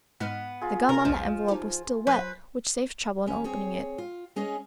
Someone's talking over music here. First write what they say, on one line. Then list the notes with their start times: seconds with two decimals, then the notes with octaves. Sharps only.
The gum on the envelope was still wet, which saved trouble in opening it.
0.20 G#2 G#3 B3 F6
0.61 F4 G#4
0.89 C3 A#4
1.05 B1 E2 F3 G#3
1.48 D#4 G4
2.07 F#3 B4 C5 D#7
3.26 D#2 C#4
3.44 C4 G#4 C#5
3.98 F4
4.36 G#3 C#4 G#4 C#5 D#5